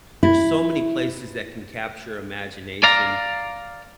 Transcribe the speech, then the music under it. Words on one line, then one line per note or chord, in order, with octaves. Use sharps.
there's so many places that can capture imagination,
E4
D5 F5 A#5